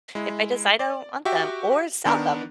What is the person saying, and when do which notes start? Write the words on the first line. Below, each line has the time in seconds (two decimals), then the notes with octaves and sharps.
if I decide I don't want them or sell them,
0.15 G#3 E4
0.79 D5
1.25 F#4 G4 E5 G5
2.05 D#3 B3 D4 A#4